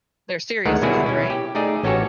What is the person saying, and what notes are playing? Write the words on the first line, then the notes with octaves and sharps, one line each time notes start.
They're serious about it, right?
D2 D#3 G#3 A3 A#4 F#5
B2 F#3 G3 E4 F#4 G#4
C#4 E4
G4
A3 D#4 G#4 D5
A1 C#4 F#4 G4 A4 C#5